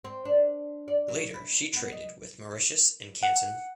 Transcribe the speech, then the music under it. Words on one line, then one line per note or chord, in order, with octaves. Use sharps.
Later she traded with Mauritius and Canton.
C4
D4
D5
F#3
E4
B3
D#5
F#5